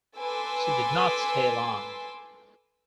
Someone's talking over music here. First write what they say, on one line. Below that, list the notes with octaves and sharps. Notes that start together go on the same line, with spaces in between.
She did not stay long.
A4 B4 G#5 C6 D6 E6